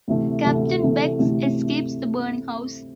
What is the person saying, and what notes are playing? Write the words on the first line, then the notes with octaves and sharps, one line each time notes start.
Captain Beggs escapes the burning house.
D2 C3 E3 A3
D2 C3 E3 A3
D2 C3 E3 A3
D2 C3 E3 A3